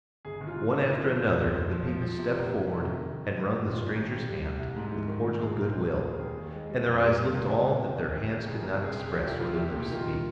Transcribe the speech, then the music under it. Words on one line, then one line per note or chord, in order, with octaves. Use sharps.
One after another the people stepped forward and wrung the stranger's hand with cordial good will, and their eyes looked all that their hands could not express or their lips speak.
G1 G#4
G1
F4
G1
D#4
G2
D#4
G1 F4
F3
F2
F2
A#1
F3
F3
F3
C3
F1
F1
C3
D#3
D#3
D#3
F1
G#1 G4
G#3
F4
G#1
G#1 G4
G3
G3
C2
C2
G#2
G#2
D#3
G#2
A#1 G#4
G#4
G3 A#4
A#1 C5
A#1 G#4
D#2 G#4
A#4
D#2 G#4
D#2
G#3
G3
F2
G3
G3
C#2
C#2
C3
D#3
C#3 G4
G1 G4
G1 G4
G1 G#4
C3 A#4
C3
G#4
C3
G4
G#4
F3
C2 G4
F3 F4
G4
C2
A#2 G4
D#3 F4
G3